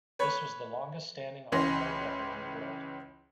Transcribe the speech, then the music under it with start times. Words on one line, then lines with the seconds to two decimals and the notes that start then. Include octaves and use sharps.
This was the longest standing automotive record in the world.
0.19 B4 C#5
1.52 C#2 E3 C#4 C6 A#6